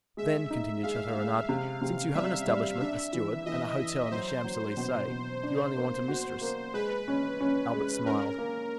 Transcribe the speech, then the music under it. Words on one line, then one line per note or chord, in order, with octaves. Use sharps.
"Then," continued Chateau-Renaud, "since you have an establishment, a steward, and a hotel in the Champs Elysees, you only want a mistress." Albert smiled.
G#3 E5
D#4
G#3 F5
G#3
C3
C3
G3 E5
G3
D4 E5
E3
E3 D#5
E3
F#3 C5
F#3
B2
B2
D4
A#3
F#4
A#3
G#3 B4
C#4
C#4
G#3
C#4 A#4
A#3